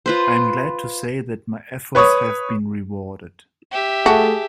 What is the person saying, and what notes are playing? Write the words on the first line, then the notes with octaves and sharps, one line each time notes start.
I am glad to say that my efforts have been rewarded.
F4 B4 C5
B4 C#5 C#6 D#6
G4 E5
A3 F#4 G#4 A5